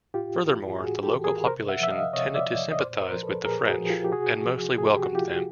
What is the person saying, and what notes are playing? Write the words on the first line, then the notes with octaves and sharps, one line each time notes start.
Furthermore, the local population tended to sympathise with the French, and mostly welcomed them.
A2 F4 G4
E3
A2 F#4 G#4
G4 A4
E3
G#4 A#4
C3 A#4 C5
E5 F#5
F3 E5
D#5 F5
C3 C#5 D#5
D5 E5
F3
D#5
A#2 C5 D5
A#4 C5
F3
A4 B4
A#2 G#4 A#4
F#4 G#4
F3
G#4
F4 G4
G4
C3 F#4 G#4
F3
C3 G#4
G4
F#4
F3 F4 G4